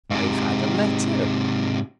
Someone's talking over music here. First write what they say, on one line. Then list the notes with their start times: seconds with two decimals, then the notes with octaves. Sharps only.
"I've had a letter."
0.10 G#2 C3